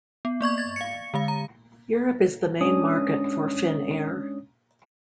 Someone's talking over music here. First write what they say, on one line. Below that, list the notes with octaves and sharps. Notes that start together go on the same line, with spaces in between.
Europe is the main market for Finnair.
B3
A#3 D5 C#6 G#6
G#6 A6
F5 C#7
D3 G#3 F5
A#5
G#3 C#4 D4 C#5 D#6